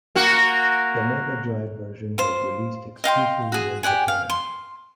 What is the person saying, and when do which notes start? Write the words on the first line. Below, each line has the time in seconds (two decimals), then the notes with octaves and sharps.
The Mega Drive version was released exclusively in Japan.
0.16 A#3 F#4
2.18 F4 C5
3.04 D#5 F5 G5 C6
3.52 F#4 G#4
3.83 G4 D5 F#5 G#5
4.08 F5
4.30 C6